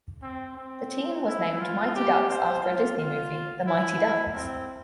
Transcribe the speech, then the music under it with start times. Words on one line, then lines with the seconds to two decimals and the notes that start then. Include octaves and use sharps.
The team was named Mighty Ducks after a Disney movie, The Mighty Ducks.
0.22 C4
0.57 C4
1.27 E4
1.61 F4
1.95 G4
2.30 C5
2.63 F4
2.98 F4
3.67 E4
4.36 C4